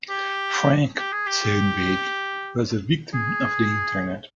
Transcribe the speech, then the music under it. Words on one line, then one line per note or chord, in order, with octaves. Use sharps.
"Frank", said Bate, was a victim of the Internet.
G4
G4
G#4
G4
G#4